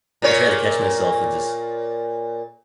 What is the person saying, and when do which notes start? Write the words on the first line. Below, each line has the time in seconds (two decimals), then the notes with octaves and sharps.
I try to catch myself and just
0.22 A#2 A#3 C#5